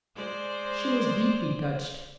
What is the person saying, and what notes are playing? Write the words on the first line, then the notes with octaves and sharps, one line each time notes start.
She was deeply touched.
G#3 C5 D5